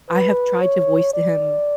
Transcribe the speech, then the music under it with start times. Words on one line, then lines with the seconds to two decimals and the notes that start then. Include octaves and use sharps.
I have tried to voice to him
0.10 B4
0.62 C#5
1.14 D5